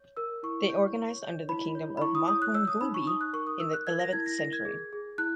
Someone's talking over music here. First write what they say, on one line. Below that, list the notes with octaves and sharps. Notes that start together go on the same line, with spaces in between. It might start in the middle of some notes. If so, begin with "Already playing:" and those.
They organized under the Kingdom of Mapungubwe in the eleventh century.
Already playing: C#5
A#4 E6
E4 C#6
C#5
C#5
C#5
E4 B5
C#5
B5
E4 C#6
D#6
C#5 D#6
F#6
C#5 E6
D#6
D#4 B5
C#6
D#4 D#6
F#6
A#4 C#6
D#6
A#4 E6
F#6
A#4 G#6
A#6
E4 G#6
A#6
A#4 A#6
G#6
G#4
G#4
E4 F#6